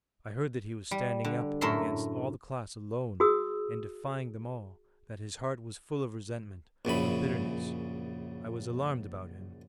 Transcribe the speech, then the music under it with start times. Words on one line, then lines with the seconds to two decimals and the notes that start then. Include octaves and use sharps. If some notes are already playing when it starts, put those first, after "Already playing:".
I heard that he was standing up against all the class alone and defying them all, that his heart was full of resentment, of bitterness--I was alarmed about him.
0.91 G3
1.25 D3
1.61 F#2 A2 A4 A#4 E5 C6
3.20 F#4 G#4 D#6 E6
6.85 A#1 F#2 C#3 B5